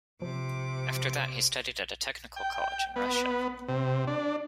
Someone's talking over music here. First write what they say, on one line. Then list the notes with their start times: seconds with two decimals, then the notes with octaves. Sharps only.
After that, he studied at a technical college in Russia.
0.22 C3 F3 D6
2.36 G5
2.96 B3
3.68 C3
4.07 D4